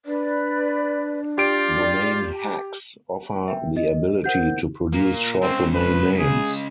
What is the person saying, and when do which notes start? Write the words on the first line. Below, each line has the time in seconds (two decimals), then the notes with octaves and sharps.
Domain hacks offer the ability to produce short domain names.
0.06 D4 B4 D5
1.38 F4 G4 D5 D7
3.48 E5 G5
3.77 D#5
4.24 A#4 C5 F#5 G6
4.93 A#2 A#3
5.42 C#3 G#3 C4
5.74 B4
6.19 G#4